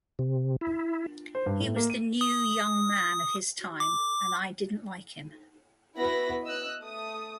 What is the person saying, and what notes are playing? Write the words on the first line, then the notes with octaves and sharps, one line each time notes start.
He was the New Young Man of his time and I didn't like him.
C3
E4
C5
G2
A2
A#3
D#7
D#6
D6
B3 E4 F#4 B5 A#6
D#5 E6 F#6
A3 D#6